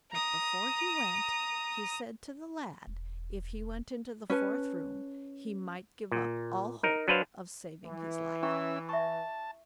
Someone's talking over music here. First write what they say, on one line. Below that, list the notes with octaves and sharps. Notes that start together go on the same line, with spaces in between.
But before he went, he said to the lad, if he went into the fourth room he might give up all hope of saving his life.
A#5 D#6
E1
C#4 B4 A5
A#2
D#4 A#4
F#3 D4 B4 C5 F5
E3
C#4 E4 E5 G5 C#6 E6
E5 A5 C#6